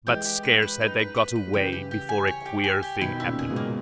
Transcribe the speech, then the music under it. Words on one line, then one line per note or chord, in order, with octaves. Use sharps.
But scarce had they got away before a queer thing happened.
E3 G#3 G4
G4
B4
B4
D#4
B4
B4
B4
G3
C#3 E3 G4
G4
G4
G#5
C#5
G4
G#5
G4
B2 D#3 E4
E4
A#2 C#3
G#4
G#2 B2
A#3